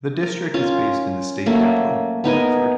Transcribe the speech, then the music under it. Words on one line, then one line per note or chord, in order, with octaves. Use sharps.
The district is based in the state capital, Hartford.
A#4
C#4 F4
F#3 A3 A#3
B3 D#4 A#4 G#5